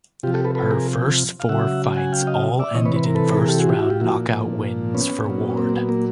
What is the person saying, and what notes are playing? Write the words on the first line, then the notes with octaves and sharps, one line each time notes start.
Her first four fights all ended in first round knockout wins for Ward.
C3 F3 F4 G4
G4 A4
A4 B4
A4 B4
G#4 A#4
F5
C#3 F#3 E5 F#5
F#5 G#5
F5 G5
D#5 F5
D5 E5
C3 E3 C#5 D#5
B4 C#5
B4
A#4
A4 B4
G#4 A#4
G4 A4
F#4 G#4
F4 G4
E4 F#4
F4 G4
A#2 F3 E4 F#4
B3 C#4
A#2 F#3
C#4
A#3 C4
B3
A#3